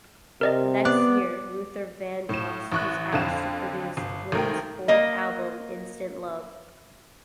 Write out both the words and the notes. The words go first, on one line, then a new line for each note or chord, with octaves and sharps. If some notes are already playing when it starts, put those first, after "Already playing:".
The next year, Luther Vandross was asked to produce Lynn's fourth album, "Instant Love".
C3 A#4 D5 D#5
B3 D5 F#6
A2 E7
A1 C#6 F#6
F2 D3 F5 E7
G1
G#1 A3 A#4 G5
A#3 D#5